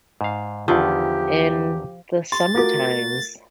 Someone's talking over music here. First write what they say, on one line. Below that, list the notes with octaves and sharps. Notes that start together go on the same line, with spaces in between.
in the summer times.
G#2 F5
E2 D3 D#3 F3 G4
C6 A6
A3 F4 F#4 A#4 D6